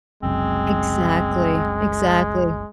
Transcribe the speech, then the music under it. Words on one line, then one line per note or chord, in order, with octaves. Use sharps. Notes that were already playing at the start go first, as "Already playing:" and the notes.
Exactly, exactly.
F#1 C2 F#2 G#3 C4